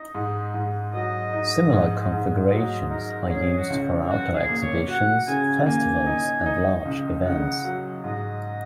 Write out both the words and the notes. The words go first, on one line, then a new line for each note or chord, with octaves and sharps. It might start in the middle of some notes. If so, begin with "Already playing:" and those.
Similar configurations are used for outdoor exhibitions, festivals and large events.
Already playing: D#4 D#5
G#2
G#2
F#3 D#5
D#4
G#2
G#2
F#3 D#5
D#4 A#4
C#4 G#4
G#4
F#4
C#2
C#3 F#4
G#4
A#3
C#5
F#4 F#5
C#3 G#5
A#3 G#5
D#4
D#4
C#2
C#3 F#5
F#3
G#2 D#5